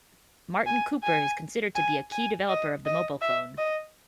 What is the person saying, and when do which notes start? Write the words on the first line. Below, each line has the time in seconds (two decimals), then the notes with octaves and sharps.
Martin Cooper is considered to be a key developer of the mobile phone.
0.66 G#5
1.03 G#5
1.75 G#5
2.12 G#5
2.49 D#5
2.85 D#5
3.21 E5
3.58 D#5